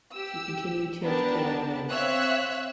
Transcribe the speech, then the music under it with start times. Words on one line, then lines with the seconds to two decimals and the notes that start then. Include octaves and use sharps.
She continued to entertain other men.
0.13 G4 E6
1.02 B3 D4 G4 A#4 B4 A5
1.90 C4 C#5 E5 F5 E6 F#6